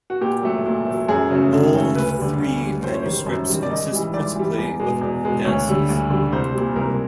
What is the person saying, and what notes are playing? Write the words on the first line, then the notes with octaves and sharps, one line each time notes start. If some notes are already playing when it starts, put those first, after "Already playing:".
All three manuscripts consist principally of dances.
F#4
A#2 G4
F#3 A3
A#2
F#3 A3
F#2 G#4
C#3 F#3 A3
F#2
C#3 F#3 A3
D2 B4
D3 G3
D2
D3 G3
F#2 C5
C#5
D#3 G3 C5
F#2
D#3 G3
D5
G#2 D#5
E3 G3
G#2 D5
E3 G3
E2
B2 G#3
E2
B2 G#3
D2 C#5
D3 G3
D2
D3 G3
C2 C5
A#2 G3
C2 A#4